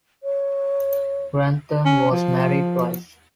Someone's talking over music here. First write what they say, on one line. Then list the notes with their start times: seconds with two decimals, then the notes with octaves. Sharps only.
Grantham was married twice.
0.23 C#5
1.85 C#4
2.11 F3